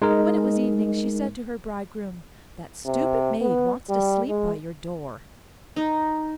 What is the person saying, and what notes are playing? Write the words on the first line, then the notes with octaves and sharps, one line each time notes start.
When it was evening she said to her bridegroom, 'That stupid maid wants to sleep by your door.'
G#3 D#4 A#4
C3
B3
G3
G#3
D#4